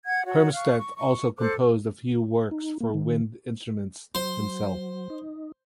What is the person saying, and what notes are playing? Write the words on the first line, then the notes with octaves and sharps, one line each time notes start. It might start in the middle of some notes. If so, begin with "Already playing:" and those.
Hermstedt also composed a few works for wind instruments himself.
F#5 G#6
F#4 C#5
F5 C#6 F#6
C#6
C#6
A4 C5 D6 F#6
D#4
A#3
D#3
F#3 C5
D#4